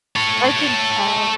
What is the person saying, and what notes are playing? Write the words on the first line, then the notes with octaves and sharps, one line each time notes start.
I can tell.
A4 C#5